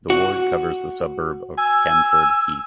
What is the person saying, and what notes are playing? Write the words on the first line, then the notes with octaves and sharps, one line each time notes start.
The ward covers the suburb of Canford Heath.
F#4
G#5 E6